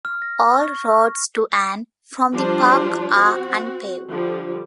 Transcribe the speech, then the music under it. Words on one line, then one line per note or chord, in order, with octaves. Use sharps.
All roads to and from the park are unpaved.
F6
A#6
C#6
F3 G3 D4 F4 C5
C4 F#4
D3 F3 G3